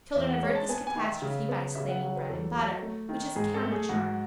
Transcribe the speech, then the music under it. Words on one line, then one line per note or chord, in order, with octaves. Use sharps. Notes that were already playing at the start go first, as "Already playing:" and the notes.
Children avert this catastrophe by exclaiming, "bread and butter," which is a counter charm.
E2 E5
F#5
G#3 C#5
A5
B3 G#5
G#5
D#3
E5
C#3
B3
C#3 E5
F#5
F#3 F#5
B4
E2 A4
F#3
A3
D#3
G#2 G#4
A4
A3
G#4
G#2 F#4